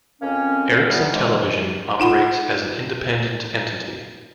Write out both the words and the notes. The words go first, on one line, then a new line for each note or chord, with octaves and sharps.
Ericsson Television operates as an independent entity.
F2 A#3 C4 C#4
E3 F#3 G3 B3 C#4 F4
A2 C3 E3 F3 G#3
D#4 F4 F#5 B5